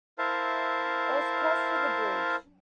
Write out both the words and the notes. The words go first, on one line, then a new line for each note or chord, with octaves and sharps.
It was crossed with a bridge.
E4 A#4 C5 E5 F5 A5